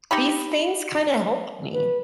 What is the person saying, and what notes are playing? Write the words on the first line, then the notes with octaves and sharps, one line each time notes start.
these things kinda help me.
D#4 G4 B5
B4